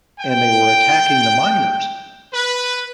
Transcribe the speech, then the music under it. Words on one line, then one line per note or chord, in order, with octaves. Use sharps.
and they were attacking the miners.
G5
B4